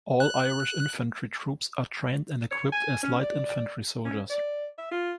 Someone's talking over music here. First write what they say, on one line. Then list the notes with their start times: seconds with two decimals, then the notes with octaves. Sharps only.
All Irish infantry troops are trained and equipped as light infantry soldiers.
0.20 F#6
2.51 C#5
2.72 G#5
3.02 C#4
3.20 D5
4.05 C#4
4.29 D5
4.77 E5
4.91 F4